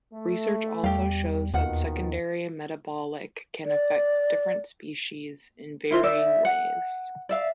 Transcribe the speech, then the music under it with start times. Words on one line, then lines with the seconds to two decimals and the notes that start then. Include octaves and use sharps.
Research also shows that secondary metabolic can affect different species in varying ways.
0.13 A3
0.84 E2 G3 G4 F5
1.54 D#2 B2 D#3 F4 F#5
3.65 D5
5.91 E4 F4 C5
6.03 D#4 D5 E5
6.45 F#5
7.29 D5 E5 F5